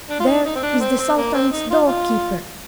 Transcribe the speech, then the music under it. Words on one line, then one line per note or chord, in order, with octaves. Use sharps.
'There is the Sultan's door-keeper!
D4
F4
D#4
D#4
C4
D4
C4
C4
A#3
C4
D#4
F4
F4